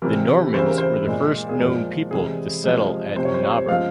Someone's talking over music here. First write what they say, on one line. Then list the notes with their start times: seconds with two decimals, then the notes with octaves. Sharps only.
The Normans were the first known people to settle at Nobber.
0.02 C3 E3 G3 A#4
0.54 C#3 E3 G3 C5
0.66 A#4
0.78 C5
1.06 A#2 G#3
1.49 G#4
1.59 A#2 F3 G#3 A#4
2.11 C3 E3 G#3 G#4
2.64 C3 F3 G#3
3.16 C3 F3 G#3 C5
3.25 C#5
3.34 C5
3.43 C#5
3.52 C5
3.68 C#3 F3 G#3 F5